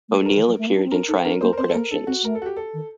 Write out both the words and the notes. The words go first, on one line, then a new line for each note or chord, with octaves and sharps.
O'Neill appeared in triangle productions!
A3
A4
G3 A#4
D#3
F#3
A3
A#3
D4
C4
D4 A#4
D#4 A4
D4 A#4
A#3 C5
A#4
C4 C5
A4
A#3 A#4
D4 A4
C4 F#4
A3 A#4
A4
F#4
G4
A4
D#3